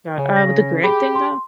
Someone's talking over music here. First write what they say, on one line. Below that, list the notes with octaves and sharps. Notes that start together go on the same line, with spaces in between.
God, uh, with the Grant thing though,
C#3
A#6
G4 G#4 B5
C6